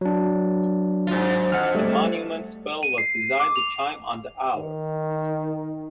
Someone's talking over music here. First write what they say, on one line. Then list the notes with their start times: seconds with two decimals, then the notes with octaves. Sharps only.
The monument's bell was designed to chime on the hour.
0.01 F#3 D4
1.07 G#2 F4
1.52 F2 F#5 F6
1.75 G3 A3
2.83 D#7
2.98 C7
3.40 D6
3.56 F7
4.57 D#3